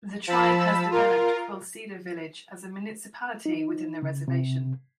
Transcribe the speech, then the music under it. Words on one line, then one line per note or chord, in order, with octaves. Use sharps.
The tribe has developed Quil Ceda Village as a municipality within the reservation.
F3 A5 B5 E6
F4 A#4
D#4
C#3
C3